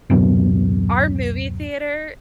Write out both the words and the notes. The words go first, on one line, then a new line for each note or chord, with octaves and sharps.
our movie theater?
D1 F#2 B2